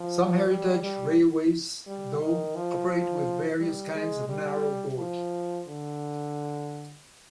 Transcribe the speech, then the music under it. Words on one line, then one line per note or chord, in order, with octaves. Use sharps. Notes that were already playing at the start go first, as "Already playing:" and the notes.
Some heritage railways, though, operate with various kinds of narrow gauge.
Already playing: F3
G3
G3
G3
D#3
F3
G3
G#3
G3
F3
D3